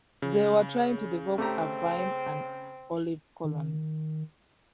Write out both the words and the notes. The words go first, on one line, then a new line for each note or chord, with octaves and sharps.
They were trying to develop a Vine and Olive Colony.
C#3
A3 C4 G4 A#5
D#3